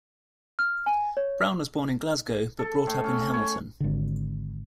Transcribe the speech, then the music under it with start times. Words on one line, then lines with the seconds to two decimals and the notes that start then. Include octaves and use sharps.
Brown was born in Glasgow, but brought up in Hamilton.
0.59 F6
0.86 G#5
1.17 C#5
2.59 A4
2.87 A2
3.04 C#4
3.34 C#5
3.80 G#1 D3